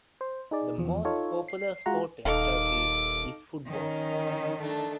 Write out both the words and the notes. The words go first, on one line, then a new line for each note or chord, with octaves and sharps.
The most popular sport in Turkey is football.
C5
D#4 G#4 D5
E2 F3
D#4 F4 A4 C#5
C7
G#3 F4 F#4 F#5 A#5
D#1 D#4 A4 F5 D6
D#3 C#4 D#5
A3 D4